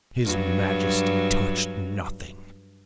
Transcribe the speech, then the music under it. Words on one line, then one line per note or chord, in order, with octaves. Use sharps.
His Majesty touched nothing.
G2 F#3